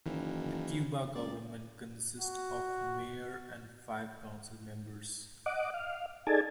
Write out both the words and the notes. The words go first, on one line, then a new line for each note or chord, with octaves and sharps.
The Cuba government consists of a mayor and five council members.
F#1 D#3 E3
C#2 D5
F#4
D#5 F#5 D6
F5
D#4 G#4 A4 D5 G#5 A5